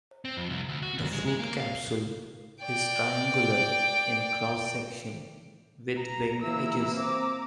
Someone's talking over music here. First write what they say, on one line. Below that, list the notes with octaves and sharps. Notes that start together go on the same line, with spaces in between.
The fruit capsule is triangular in cross section with winged edges.
C4
F2
C2
D2
F#4
D#2
G#3
G#3
A#3
F5
D5 G5
A#5
E3 A#3 E4 A#5 E6
C4 A#5 D6